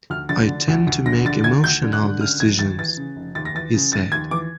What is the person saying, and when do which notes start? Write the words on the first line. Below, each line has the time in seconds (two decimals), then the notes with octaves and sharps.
"I tend to make emotional decisions," he said.
0.10 D2 F6
0.29 D3 A6
0.48 D3
0.68 D2
0.87 D2
1.06 D3 A#6
1.25 D3 A6
1.44 D2 G#6
1.63 D2 G6
1.83 D3
1.93 F#6
2.02 D3
2.21 C#3 F6
2.40 F1 G#6
2.59 D#2 A6
2.78 E3 A6
2.97 C#3
3.16 F1
3.35 D#2 A6
3.45 A#6
3.55 E3 A6
3.74 C#3
3.92 F1 A6
4.12 D#2 G#6
4.31 E3 D6